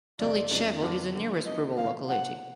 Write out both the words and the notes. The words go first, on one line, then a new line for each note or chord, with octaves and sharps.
Tulichevo is the nearest rural locality.
F2 C3 D#3 G#3 C4 D5
F2 C#3 F#3 B3 D#4
F2 D3 F#3 B3 D4
D3 F#3 A#3
F3 A#3 C#4 D#5
C#3 E3 G#3 C#4 F5
F3 A#3 D4 F#5